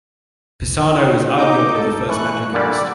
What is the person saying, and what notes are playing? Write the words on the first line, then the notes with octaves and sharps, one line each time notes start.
Pisano is arguably the first madrigalist.
D#4 D6 G6
A4
E3 C#6 F#6
A#2 D3 G3 D5